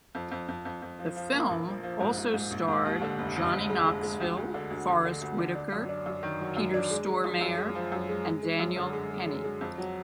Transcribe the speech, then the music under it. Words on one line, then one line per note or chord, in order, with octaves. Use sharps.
The film also starred Johnny Knoxville, Forest Whitaker, Peter Stormare, and Daniel Henney.
F2
F2
F2
F2
F2
F3
F3
A#3
A#1
F3
F3
G#2
G#2
G#2
A#1
G#2
D#2
D3
F1
F1
F1
G#3
G#3
G#3
D2
D2
D3
D2
D2
D3
D2
D3
D4
F#2
D4
F#2
D#3
F#3
F#2
D4
G#3
G#3
F#2
F#2
G#3
F3
F#2
G#3
G#3
G#3
F#2
D3
G#3
G#3
G#3
G#3
F2
F#3